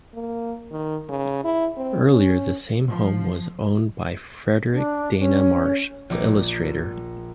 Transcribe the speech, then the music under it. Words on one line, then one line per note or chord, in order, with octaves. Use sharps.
Earlier, the same home was owned by Frederic Dana Marsh, the illustrator.
A#3
D#3
C#3
E4
C4
C#4
F3
D4
C#4
A#1 D6